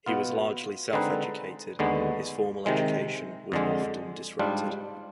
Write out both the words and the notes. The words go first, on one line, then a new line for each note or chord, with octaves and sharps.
He was largely self-educated: his formal education was often disrupted.
B2 B3 F4
D3 G#3 C4 D#4 B4
D#2 D3 G#3 B3
C3 D#3 G#3
F2 D3 G#3
G#2 G3 D4 F4